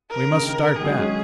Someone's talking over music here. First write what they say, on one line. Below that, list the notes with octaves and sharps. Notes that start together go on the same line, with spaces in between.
We must start back.
A#4
C#3
D#3
D#3 G#4
F#3
D#3 G#3
G#3 C#4